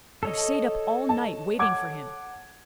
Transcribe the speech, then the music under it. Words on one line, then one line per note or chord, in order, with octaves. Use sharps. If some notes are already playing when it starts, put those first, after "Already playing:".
I've sate up all night waiting for him.
A4 C#5 D#5
A5
F#5 D6 G#6